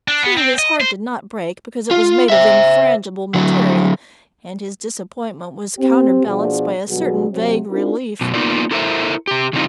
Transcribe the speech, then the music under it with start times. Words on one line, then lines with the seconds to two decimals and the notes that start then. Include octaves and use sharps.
True, his heart did not break, because it was made of infrangible material, and his disappointment was counter-balanced by a certain vague relief.
0.08 D4
0.23 B3
0.37 C4
0.59 D#5
0.81 C5
1.91 F4
2.30 C5 E5
3.34 D3 F#3
5.78 C4 G4
6.24 B2 F3 B3 D4 G#4 D5
6.88 B2 D3 F#3 G3 G#4
7.30 C3 F#3
7.69 C4 D4 D#4 F4 F#4 A#4
8.21 F#2 B2
8.34 A#3 B3 D#4 F4 A#4 D5
8.71 E4 A4 A#4 C5 E5
9.27 C3 G4
9.53 C#3 E3 G3 C4 D#4 F4